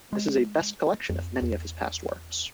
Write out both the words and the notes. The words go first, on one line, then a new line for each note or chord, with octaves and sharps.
This is a best collection of many of his past works.
G#3
F2
E2